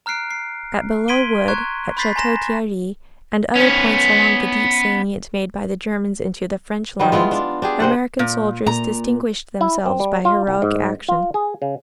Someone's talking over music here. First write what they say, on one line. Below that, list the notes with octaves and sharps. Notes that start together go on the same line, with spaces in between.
At Belleau Wood, at Chateau-Thierry, and other points along the deep salient made by the Germans into the French lines, American soldiers distinguished themselves by heroic action.
A#5 F6 F#6 C7 D7
C7
C6 G#6 B6 D7 D#7 G7
A#5 C6 C#6 F#6 G#6
B5 C6 G6 A6 B6 C7
G#5 A#5 C6 A#6 E7
B3 C#4
D#3 G3 B3
G#3 B3 E4 F4
D4 F4
D4 G4 G#4
C3 C5 F#5
A#2
A#2 A#5
E4
C4
G3
F4
C2
G#2
F4
G#4
C#3